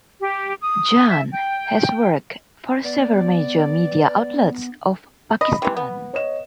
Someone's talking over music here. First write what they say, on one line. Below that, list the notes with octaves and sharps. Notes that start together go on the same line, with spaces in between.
Jan has worked for several major media outlets of Pakistan.
G4
D#6
E5
G5
B3 D5
D#5 B5
C3 E3
B3
C#5 D#5 E7